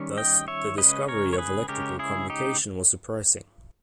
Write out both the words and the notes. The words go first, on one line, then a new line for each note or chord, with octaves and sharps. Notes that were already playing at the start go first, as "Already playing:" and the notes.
Thus, the discovery of electrical communication was surprising.
Already playing: D#3 G3 C#4
D#5 G5
C#5 E5
C#3 G#3 C#4 B4 D#5
A#4 C#5
C#5
G#4 B4
C#3 G#3 C#4 G4 A#4
E4 G#4
D#4 G4